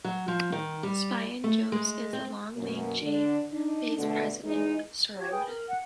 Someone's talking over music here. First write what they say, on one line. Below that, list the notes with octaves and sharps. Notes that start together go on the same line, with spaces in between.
Sphingosine is the main long-chain base present in ceramide.
F#3
F3
D#3
G3
A3
G#3
C4
F#2 B2 A#3
D3 D4
D4 D#4
B2 D3 A3
E2 G#3 D#4
F#4 G4 C#5
G#4 B4 G5 D#6
A#4
F#5